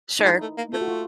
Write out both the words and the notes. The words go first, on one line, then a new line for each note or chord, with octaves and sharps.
Sure, yep.
D#4
G#3 E4
A3
A#3
A3 F4
F#4
F4